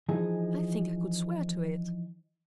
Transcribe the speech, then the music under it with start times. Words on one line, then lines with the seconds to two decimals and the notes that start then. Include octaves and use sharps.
"I think I could swear to it."
0.09 E3 F3 D#4 G#4